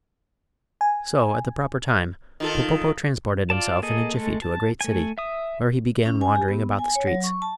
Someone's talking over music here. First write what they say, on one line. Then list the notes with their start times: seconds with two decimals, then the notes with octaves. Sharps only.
So at the proper time Popopo transported himself in a jiffy to a great city, where he began wandering about the streets.
0.81 G#5
2.40 D#3 F4 A4
3.50 F4 D5 A5
3.82 A#3 G#4 A4 D#5
4.14 G#3 A3 A4
4.42 A5
4.81 A3 G#5
5.18 E5 D#6
6.06 C#4
6.21 G#5
6.35 G4
6.48 B3
6.79 G#5
6.95 C#5
7.07 F#3
7.24 C#6
7.42 A5